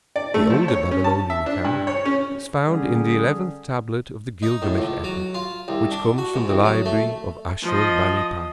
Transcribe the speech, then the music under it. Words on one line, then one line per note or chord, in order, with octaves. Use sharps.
The older Babylonian account is found in the eleventh tablet of the Gilgamesh epic, which comes from the library of Asshurbanipal.
D5
A3
F3
C#5
C#4
A5
E5
D4
G2
C#5
C#4
D3 G3 C#4 G#4
D#4
A2
C#2
F#3
F4
C2
D4
F#4
G#2
C2
F#3
A3
F3 D#5